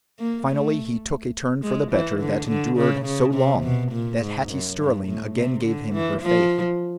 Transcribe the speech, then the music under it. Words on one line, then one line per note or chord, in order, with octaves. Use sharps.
Finally he took a turn for the better that endured so long that Hattie Sterling again gave him her faith.
A#3
A3
G#3
E3
D3
D3
C#3
C#3
C3
B2
A#2
G#2
F#2
G2
A2
C3
D3
E3
F3